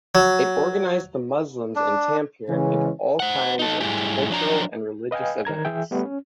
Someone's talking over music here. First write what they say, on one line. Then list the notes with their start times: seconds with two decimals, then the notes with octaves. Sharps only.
It organized the Muslims in Tampere into all kinds of cultural and religious events.
0.15 F#3
1.76 D4
2.49 C#3 E3 G#3 C#4
3.20 C5 F#5
3.59 D#4 A4
3.80 G#2 G3 A3 E4 G4 G#4
4.30 F3 F#3 D4 F#4 A#5
5.11 B4 D#5 F5 G5 G#5
5.45 D#3 A#4 A#5 G#6
5.65 E3 G#4 E5 G5
5.91 G3 A3 B3 G4
6.05 C#4